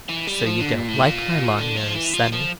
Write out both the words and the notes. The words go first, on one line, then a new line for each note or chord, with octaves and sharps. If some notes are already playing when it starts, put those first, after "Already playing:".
'So you don't like my long nose, sonny?
E3
G3
F3
D3
A#2
A2
A#2
D3
F3
E3
F3
F3